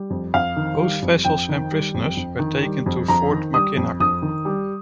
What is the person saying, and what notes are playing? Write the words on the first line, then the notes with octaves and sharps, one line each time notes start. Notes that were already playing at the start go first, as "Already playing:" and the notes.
Both vessels and prisoners were taken to Fort Mackinac.
Already playing: G3
F2
F2 F5
D#3
G3
F2
F2 G5
D#3
G3
F2
F2
D#3
G3
F2
F2 A#5
D#3
G3 D#6
F2
F2 D#6
D#3
G3